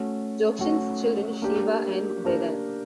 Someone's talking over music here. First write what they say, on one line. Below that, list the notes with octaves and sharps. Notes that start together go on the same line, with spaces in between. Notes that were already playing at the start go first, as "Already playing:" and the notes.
Jokshan's children Sheba and Dedan.
Already playing: A3 C#4 F#4
A3 C#4 F#4
A#3 D4 G4 A#4
A#3 D4 G4 A#4